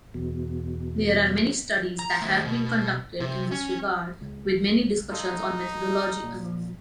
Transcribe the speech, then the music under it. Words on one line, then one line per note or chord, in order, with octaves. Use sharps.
There are many studies that have been conducted in this regard, with many discussions on methodology alone.
E2 B2
A#5
D#3 A3
B2
C3
C#4
C#2
D#4 F4 A4
A#2